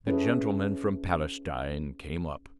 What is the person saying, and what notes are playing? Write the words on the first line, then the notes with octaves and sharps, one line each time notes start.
The gentleman from Palestine came up.
C#4 E4 G#4 A4 B4